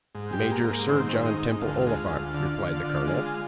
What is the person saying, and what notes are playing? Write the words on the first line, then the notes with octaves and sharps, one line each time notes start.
"Major Sir John Temple Oliphant," replied the colonel.
G#2
G4
G#2
A#3
G#2
A#3
D#3 C4
G#2
D#4
G#2
D#4
D2 F4
G#3
D2
D3
D3
D3
G#3